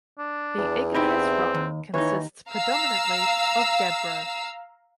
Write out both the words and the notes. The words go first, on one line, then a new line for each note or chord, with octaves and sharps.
The igneous rock consists predominantly of gabbro.
D4
E2
C4 D#4 E4 G4
D#2
D#2 E3 D#4 C#5
F5 A#5 E6